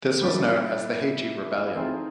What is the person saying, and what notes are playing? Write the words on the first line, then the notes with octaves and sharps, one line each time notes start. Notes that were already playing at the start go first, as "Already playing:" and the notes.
This was known as the Heiji Rebellion.
G3 A#3 D4 E4 G4
E3 A3 C4 D#4 F4 G#4